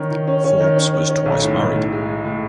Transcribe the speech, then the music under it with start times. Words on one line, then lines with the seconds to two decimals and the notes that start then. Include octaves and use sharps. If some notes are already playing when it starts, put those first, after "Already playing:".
Forbes was twice married.
Already playing: D#3 C#4
0.11 D#3
0.27 C#4
0.44 C#4
0.60 D#3
0.77 C#4
0.94 C#4
1.10 C#4
1.26 B1
1.42 A2
1.59 B1
1.75 A2
1.92 G#3
2.09 G#3
2.25 A2